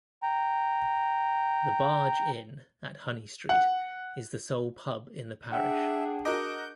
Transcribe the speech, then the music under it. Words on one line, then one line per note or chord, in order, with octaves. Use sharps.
The Barge Inn at Honeystreet is the sole pub in the parish.
G5 A#5
F#5
D4 G#4 E5 F#5 G5
F#4 A#4 D#5 D6 G6 D7